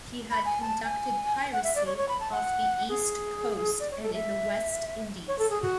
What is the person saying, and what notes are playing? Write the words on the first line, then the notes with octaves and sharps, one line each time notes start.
He had conducted piracy off the East Coast and in the West Indies.
B5
G#5
A5
G#5
F#5
E5
D5
C#5
C#5
B5
A5
F#5
G#4
D5
C#5
A4
E5
C#5
A4
G#4
F#4